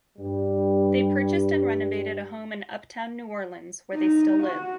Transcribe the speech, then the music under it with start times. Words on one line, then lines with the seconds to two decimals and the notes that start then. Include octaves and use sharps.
They purchased and renovated a home in Uptown New Orleans, where they still live.
0.18 G2 G3
3.93 D#4
4.43 F#4